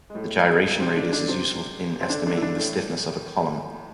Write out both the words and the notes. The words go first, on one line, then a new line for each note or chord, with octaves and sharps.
The gyration radius is useful in estimating the stiffness of a column.
G#3
A2 A3
B2 B3
C3 C4
D3 D4
D3 D4
C3 C4
C4
D3 D4
D3 D4
E4
D3 D4
A2 A3